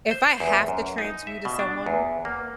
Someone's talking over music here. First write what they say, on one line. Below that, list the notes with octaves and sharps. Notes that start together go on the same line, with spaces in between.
if I have to transfer you to someone,
C5
E2
F#2
D#4
E5
B2
D4
E2
A#3